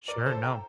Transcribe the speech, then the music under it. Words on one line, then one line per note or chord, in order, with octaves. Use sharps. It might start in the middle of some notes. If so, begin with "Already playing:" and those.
Sure, no.
A#4 D5
A4 C5
G5 A#5